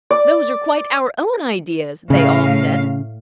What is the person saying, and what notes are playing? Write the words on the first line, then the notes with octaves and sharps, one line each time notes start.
"Those are quite our own ideas," they all said.
D5
A2 C#3 F5